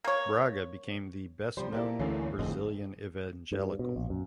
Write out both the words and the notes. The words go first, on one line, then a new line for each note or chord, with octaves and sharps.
Braga became the best known Brazilian evangelical.
A#3 C#5
C3 F3 G3 C5
A#3 E4 G4 A4 D5
D2 E3 A3 C#4 C7
G1 F2 A2 D3 C4 G#4 D#5
G2
B2
A#1
F#2